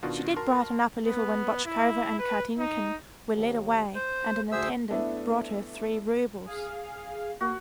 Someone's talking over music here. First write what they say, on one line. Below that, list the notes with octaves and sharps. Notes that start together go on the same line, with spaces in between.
She did brighten up a little when Botchkova and Kartinkin were led away and an attendant brought her three roubles.
B2 D#3 D4 F4 F#4
F#4 A#4 A5 C6
B3
E4
B4
D#4
D#2
C5
D2 G#4 C5 E5 E6
A3 B3 D4 E4 A4
G#4 F5
A#3 F#4